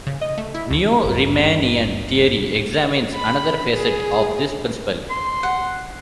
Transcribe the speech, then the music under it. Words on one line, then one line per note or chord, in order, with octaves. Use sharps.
Neo-Riemannian theory examines another facet of this principle.
C#3
D#5
A3
E4
D2
G#1 D2 G2
B5
G#4
C6
F#5